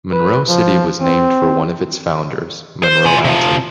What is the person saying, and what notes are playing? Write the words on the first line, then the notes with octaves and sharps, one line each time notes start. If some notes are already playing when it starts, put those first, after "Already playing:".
Monroe City was named for one of its founders, Monroe Alton.
B4
F3
C4
C5
F4 G#5
C3 F3